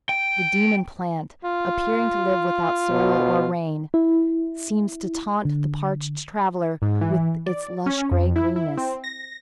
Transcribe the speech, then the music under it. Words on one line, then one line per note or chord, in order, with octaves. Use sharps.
The demon plant, appearing to live without soil or rain, seems to taunt the parched traveller with its lush grey greenness.
G5
F4
B2
E4
D3
G#2
E3
D5
C#4
F2
E4
E4
C4
A#6